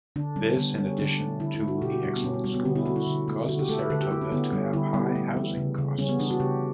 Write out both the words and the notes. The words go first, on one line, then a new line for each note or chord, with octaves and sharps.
This, in addition to the excellent schools, causes Saratoga to have high housing costs.
D3 D4
G3 C#4
D3 B3
G3 C#4
D3 D4
A3
D3 E4
E4
A3
F#4
B2 G4
F#4
G3 D4
B3
B2 C#4
B3
G3 C#4
B3
D3 C#4
E4
A3 F#4
E4
D3
A3
D3 F#4
G4
A3 A4
B4
D3 A4
G4
A3 E4
C#4
D3 B3
G3 C#4
D3 E4
G3 B3
A3
E3
C#3
C#3
G3 C#4
B3
E3 D4
F#4
C#3 G4